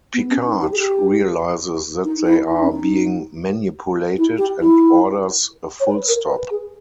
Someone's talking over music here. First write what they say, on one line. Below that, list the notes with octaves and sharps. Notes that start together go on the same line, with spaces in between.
Picard realizes that they are being manipulated, and orders a full-stop.
B3
C#4
D#4
G4
G#4
G4
D#4
E4
E4
D#4
C#4
D#4
E4
G4
E4
C#5
B4
A#4
B4
G#4